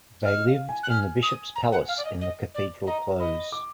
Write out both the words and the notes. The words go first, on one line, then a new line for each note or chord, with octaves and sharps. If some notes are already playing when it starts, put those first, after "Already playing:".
They lived in the Bishop's Palace in the Cathedral Close.
D#5 F6
F5
G#5
F#6
G#5 F6
D#6
A#5
F#5
F5
D5
D#5
D#5
D5
D#5 A#5
D#5 B5
D6